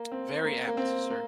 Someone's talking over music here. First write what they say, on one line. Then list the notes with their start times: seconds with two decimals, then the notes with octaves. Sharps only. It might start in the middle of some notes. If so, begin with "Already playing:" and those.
Very apt, sir.
Already playing: A#3
0.12 C4
0.44 A#3
0.67 A#3
0.77 C4
1.10 A#3